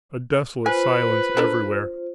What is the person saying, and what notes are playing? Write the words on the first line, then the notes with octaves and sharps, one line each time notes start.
A desolate silence everywhere.
F4 B4 C5 G#5
D4 A4 A#4